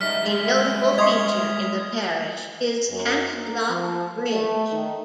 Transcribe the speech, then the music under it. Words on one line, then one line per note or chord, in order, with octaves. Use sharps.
A notable feature in the parish is Cantlop Bridge.
G3 G#3 D#4 E5 F6 B6
G3 G#3
D#5 C6 C#6 D#6 G#6
F#2
A#3
F3
A3
D#3